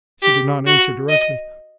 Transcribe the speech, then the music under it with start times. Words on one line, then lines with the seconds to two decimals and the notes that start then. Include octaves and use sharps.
She did not answer directly.
0.22 G4
0.66 F#4
1.09 D#5